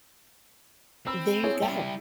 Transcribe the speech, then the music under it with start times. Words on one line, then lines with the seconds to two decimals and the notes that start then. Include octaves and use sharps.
There you go.
1.07 C4 B5 E6
1.43 E4 G#4 C#5
1.62 G3 E4 G5